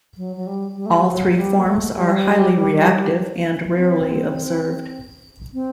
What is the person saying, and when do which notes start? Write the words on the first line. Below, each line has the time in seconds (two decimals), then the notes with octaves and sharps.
All three forms are highly reactive and rarely observed.
0.17 F#3
0.36 F#3
0.47 G3
0.77 G3
0.86 A3
0.95 G3
1.07 F#3
1.36 G3
1.59 A#3
1.66 A3
1.96 G3
3.75 C4
5.54 C4